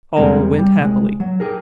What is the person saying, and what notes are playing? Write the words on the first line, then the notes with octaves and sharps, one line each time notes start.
All went happily.
E2 C3 G3 G#3 A#4 A#5
G3
C2 G#3
F#3
G4 G#4 A#4